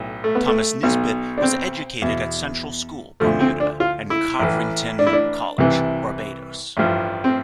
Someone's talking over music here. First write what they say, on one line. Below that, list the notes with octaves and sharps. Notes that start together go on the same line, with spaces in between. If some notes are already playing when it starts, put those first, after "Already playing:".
Thomas Nisbett was educated at Central School, Bermuda, and Codrington College, Barbados.
Already playing: B1 A2
A3
B3
A3
B1 B2
D4
C4
E2 B2
D2 D3 F3 A3
C4
D4
F4
E4
A1 A2 E3
D4
E4
D4
C2 C3 E3
A1 G2 F3
C4